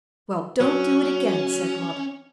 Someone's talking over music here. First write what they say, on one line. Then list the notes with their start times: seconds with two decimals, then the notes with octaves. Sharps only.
'Well, don't do it again,' said mother.
0.60 F#3 C#4